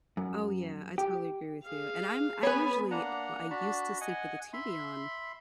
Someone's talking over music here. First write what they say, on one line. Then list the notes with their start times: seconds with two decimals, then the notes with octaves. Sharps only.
Oh, yeah, I totally agree with you. And I'm I usually uh, I used to sleep with the TV on,
0.17 F#2
0.98 G4
1.63 G#4 F5
2.43 B3 B4 C#5 G#5
2.91 A#3 D4 F#5 A#5
3.50 D4 F#4 A5 B5
4.01 D#5 F#5 G#5
4.53 E5 B5 C6